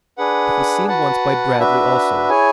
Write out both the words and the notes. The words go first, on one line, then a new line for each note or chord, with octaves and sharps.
It was seen once by Bradley also.
D4 G#4 B4 F#5
F#4 B4 F#5 A5
D4 F#4 B4 E5
E4 G#4 C#5 G#5